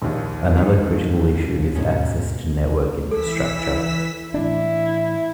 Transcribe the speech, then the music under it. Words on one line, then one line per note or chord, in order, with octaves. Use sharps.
Another critical issue is access to network infrastructure.
A#1 D#2
D#3
G#2 B2 C#4
E3 A4 E6 B6
A2 E3 D4 E4